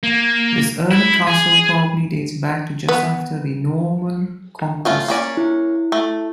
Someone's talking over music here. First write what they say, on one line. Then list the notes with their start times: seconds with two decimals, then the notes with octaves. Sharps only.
This early castle probably dates back to just after the Norman Conquest.
0.03 A#3
0.91 E4
1.27 G#4
2.88 B3
4.85 A3 C#4 F4
5.08 A#3 C#4 D5
5.37 E4
5.92 A3